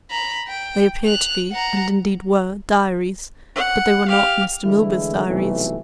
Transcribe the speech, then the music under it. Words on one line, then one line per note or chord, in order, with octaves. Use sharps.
They appeared to be, and indeed were, diaries, but they were not Mr. Milburgh's diaries.
A#5 B5
G5
F#6 F7
F#5 A#5
F#5
G4 F5
D3 E3 G#3 A3 E4
B1 C3 E3 G3 A3